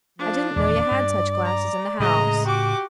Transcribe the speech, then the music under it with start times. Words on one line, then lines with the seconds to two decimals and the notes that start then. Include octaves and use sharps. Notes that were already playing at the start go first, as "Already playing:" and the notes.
I didn't know you had such glasses in the house.
0.19 F3 D4
0.56 D#1 E2 D5
0.91 G2
1.44 A#5
2.00 A2 C#3 G#3 D#5 A#5
2.45 F#4 G4 D6